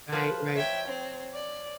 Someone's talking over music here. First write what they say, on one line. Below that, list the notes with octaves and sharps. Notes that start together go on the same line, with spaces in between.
Right, right.
F3 A#4 B4
C#5 E5 G5 G#6
C4
D5